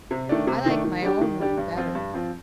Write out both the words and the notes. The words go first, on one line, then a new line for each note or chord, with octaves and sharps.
I like my own room better.
C3
D#3 A3 D4
C3
D#3 A3 D4
D#3
G3 D4 G4
D#3
G3 D4 G4
G2
F3 C4 F4
G2
F3 C4 F4